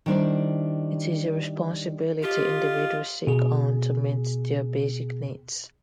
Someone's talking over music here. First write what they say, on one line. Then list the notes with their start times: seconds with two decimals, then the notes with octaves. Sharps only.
It is a responsibility individuals take on to meet their basic needs.
0.06 D#3 G3 D4 E4 C5 D5
2.23 F4 G4 D#5
3.27 B2 G#4